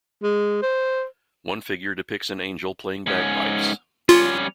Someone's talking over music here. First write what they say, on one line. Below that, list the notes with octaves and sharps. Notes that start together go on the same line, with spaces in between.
One figure depicts an angel playing bagpipes.
G#3
C5
G#2 C#4
G3 C#4 F4